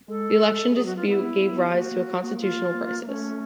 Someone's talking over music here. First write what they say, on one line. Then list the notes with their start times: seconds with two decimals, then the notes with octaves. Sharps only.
The election dispute gave rise to a constitutional crisis.
0.08 G#3 A4
0.71 A4
0.75 F#3 G#4
0.86 F#4
0.97 F4
1.08 B3 E4
1.41 B3
1.69 G4
1.74 A#3 F#4
1.92 A#3
2.24 A#3
2.40 F4
2.75 A#3
2.91 A#3
3.03 A#3
3.07 A3 C#4